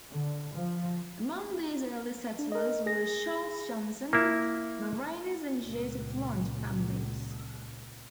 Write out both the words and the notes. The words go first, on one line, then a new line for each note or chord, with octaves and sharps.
Among these early settlers were Charles Johnson, Marenus and Joseph Lund families.
D3
F3
D4
A#4 D#5
G#4 A#6
A#3 E4
C#2 A#2